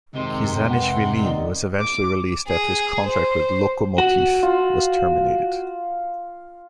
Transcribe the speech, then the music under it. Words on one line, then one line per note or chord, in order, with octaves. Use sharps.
Khizanishvili was eventually released after his contract with Lokomotiv was terminated.
F2 G#2 C3 D#3 G#3 C6
B4 F#5
D#3 D5 D#5
D6
G#4
C5
F#4
F4